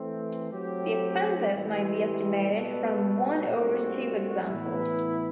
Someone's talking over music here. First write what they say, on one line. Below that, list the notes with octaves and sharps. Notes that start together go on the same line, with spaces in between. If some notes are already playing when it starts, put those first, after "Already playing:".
The expenses may be estimated from one or two examples.
Already playing: E3 A3 C4
F#3 A3 C4 G4
A2 E3 G3 C4 G4
B2 G3 B3 F#4 A4
A2 G3 C4 F#4
A2 E3 B3 E4